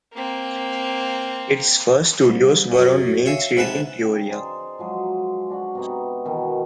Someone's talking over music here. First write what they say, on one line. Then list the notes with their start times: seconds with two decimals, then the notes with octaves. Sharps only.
Its first studios were on Main Street in Peoria.
0.13 A#3 C4
2.25 C2
2.72 F#2 F#3
3.26 C#5 E5 F5 G#5
3.57 G#2 C3 B4 G#5 A5
4.01 C#3 G5
4.28 D#4 G#4 C5 D5
4.79 F3 F#3 G#3
5.50 D4 F#4 F#5
5.75 C3 B3 D#4
6.25 B2 D#3 E3